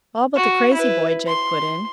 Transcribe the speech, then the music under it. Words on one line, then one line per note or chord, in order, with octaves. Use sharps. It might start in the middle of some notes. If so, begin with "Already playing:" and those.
"All but the crazy boy," Jake put in.
F#4
E4 B4
C6